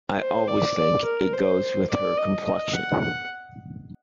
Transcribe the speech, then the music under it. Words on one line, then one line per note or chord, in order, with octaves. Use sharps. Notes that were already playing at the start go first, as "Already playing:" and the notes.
I always think it goes with her complexion.
C5
D5
D5
A#4
C5
D5
D#5
D#5
F#5
F#5